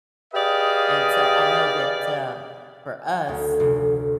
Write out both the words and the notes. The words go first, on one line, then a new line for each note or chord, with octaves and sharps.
And so I know that, um, for us,
G4 G#4 B4 D5 D#5 F5
D2
F1